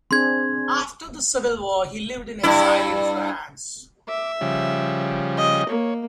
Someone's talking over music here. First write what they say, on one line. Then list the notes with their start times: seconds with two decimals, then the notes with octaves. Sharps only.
After the civil war he lived in exile in France.
0.11 C4 D4 G#4 C6 G#6
2.43 G2 E4
4.08 E5 D6
4.41 C#3 F3 G3
5.37 D#5
5.69 A#3 C#5